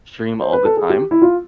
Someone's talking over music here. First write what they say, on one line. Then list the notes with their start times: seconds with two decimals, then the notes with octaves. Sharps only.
stream all the time,
0.41 C5
0.53 B4
0.65 A4
0.77 G#4
0.90 G4
1.11 E4
1.22 F4